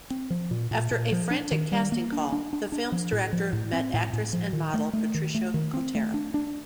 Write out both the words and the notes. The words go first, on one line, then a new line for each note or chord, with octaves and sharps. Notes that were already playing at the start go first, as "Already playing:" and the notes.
After a frantic casting call, the film's director met actress and model Patricia Kotero.
C4
F3
A#2
A#2
A#2
F3
D4
D#3
G3
A#3
D4
D4
D4
D4
F3
A2
F3
A2
C4
A2
A2
F3
D#3
A3
A3
D#3
A3
D#3
C4
A3
D4
D4